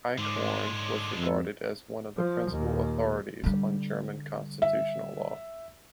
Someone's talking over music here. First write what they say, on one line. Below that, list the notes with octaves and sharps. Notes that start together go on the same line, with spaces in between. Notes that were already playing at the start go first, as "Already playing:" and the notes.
Eichhorn was regarded as one of the principal authorities on German constitutional law.
G#2 D3 G#3 C#5 C6 D6
F2 E6
F3
D#2 A#2
D3 G3
E5